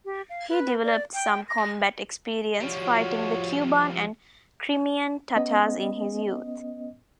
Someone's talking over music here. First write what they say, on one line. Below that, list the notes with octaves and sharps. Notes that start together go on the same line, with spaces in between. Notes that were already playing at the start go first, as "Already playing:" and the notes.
He developed some combat experience fighting the Kuban and Crimean Tatars in his youth.
G4
F5
B4
D5
G5
A#6
F3 G3 F4 F#4 C#5
B3 C#4 D#5